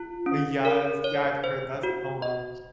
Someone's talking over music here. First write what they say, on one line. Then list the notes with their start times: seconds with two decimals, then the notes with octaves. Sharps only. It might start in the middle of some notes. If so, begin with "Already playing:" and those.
Eh, yes, yeah, I've heard that so much.
Already playing: F4
0.26 C#4
0.65 A#4
1.04 C#5
1.44 C5
1.83 F#4
2.22 D#5